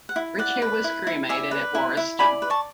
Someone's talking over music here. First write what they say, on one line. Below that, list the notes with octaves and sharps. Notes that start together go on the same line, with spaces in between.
Ritchie was cremated at Warriston.
F#5
E4
D5 F#5
B4
E4
E4
D5 E5 G#5
B4
E4
E4
D5 G#5 B5
B4
A5 C#6